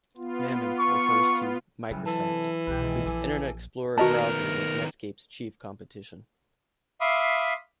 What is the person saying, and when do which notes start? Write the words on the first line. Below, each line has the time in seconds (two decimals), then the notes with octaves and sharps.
"Mammon" refers to Microsoft, whose Internet Explorer browser was Netscape's chief competition.
0.17 B3 F4
0.79 C#6
1.91 C#3 E3 F#3 G3
2.06 C3 E3 A4 A5
2.67 C2 B2 G4 B4
2.82 D#3 G#3
3.06 A#1 F3 G4 A4 G#5
3.98 D#3 B3 F#4 A#4 D#5 A5
7.01 E5 F5 B5 C6 D6 D#6